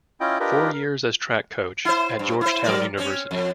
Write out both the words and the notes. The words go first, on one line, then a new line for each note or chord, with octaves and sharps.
Four years as track coach at Georgetown University.
C#4 E4 F4 D#5 G5
D4 F4 G4 A#4 B4 D#5
A#4
E4 C5
G2
E4 C5
F#3 A#4 D5
C4 C#4
F2